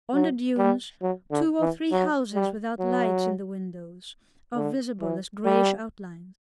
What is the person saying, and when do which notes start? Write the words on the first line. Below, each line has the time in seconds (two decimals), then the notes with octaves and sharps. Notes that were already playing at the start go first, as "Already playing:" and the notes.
On the dunes two or three houses without lights in the windows are visible as greyish outlines.
0.14 F#3
0.58 G3
1.02 F#3
1.31 D3
1.61 E3
1.91 F#3
2.35 G3
2.80 F#3
4.56 D3
5.01 E3
5.45 G3